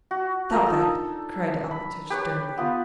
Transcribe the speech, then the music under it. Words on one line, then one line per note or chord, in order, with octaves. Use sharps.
"Stop that!" cried Alpatych sternly.
F#4
F3 A#4 A#5
D4 D#4 A4
B5
G4 B4 C#5
B3 F4 B4